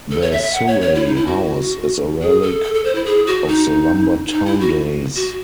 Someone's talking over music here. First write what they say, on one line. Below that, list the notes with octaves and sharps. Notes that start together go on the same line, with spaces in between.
The Surrey House is a relic of the lumber town days.
A4
C#5
E5
E5
F#5
C#5
C#5
E4
D#4
E4
F#4
G#4
A4
A4
A4
C5
E4
G#4
F#4
D#4
D#4
E4
F#4
F#4